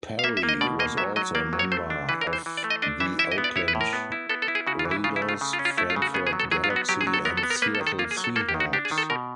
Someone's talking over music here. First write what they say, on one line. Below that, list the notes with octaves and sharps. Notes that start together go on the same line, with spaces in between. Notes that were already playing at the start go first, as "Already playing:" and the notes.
Parry was also a member of the Oakland Raiders, Frankfurt Galaxy, and Seattle Seahawks.
F5
A#3 E5
E5
A#3
D#5
B2 D5
A#3 D#5
F#3 E5
F#3 D#5
A#3 D5
F#3
C#5
A3 C5
D4
E3 B4
A#4
E3
C5
E3
D5
A3
D#5
D4 D#5
E3 E5
E4 E5
D#5
B3
D5
E4 C#5
B4
A2
A#4
B3
E4
B3 A4
A4
E4
G#4
C#3 F#4
F4
E3
E4
C#3 F4
E4
A3
F4
C#3
F4
C#4
F4
A3 E4
F4
C#3
F#4
B3 G#4
G#4
F#3
A4
F#3 G#4
F4
B3
F#4
F#3 G4
G#4
F#3
A4
B3 A#4
A4
B3
A#4
A#3 B4
A4
D#3
A4
A#3 F4
G#4
F#3
A4
A#3 A4
G4
D#3
F#4
D4 G4
G#4
D#3
A4
B2 A#4